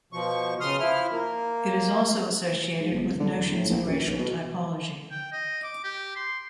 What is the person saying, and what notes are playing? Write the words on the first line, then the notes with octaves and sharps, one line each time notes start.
It is also associated with notions of racial typology.
B2 F3 C#6
C#3 C6 D#6 F6
F3 E4 F6
A#3
G#2
G1
C2
D3
E1
A2
A#1
F#2
B1
B2
G5
D#5
D6
G4
C6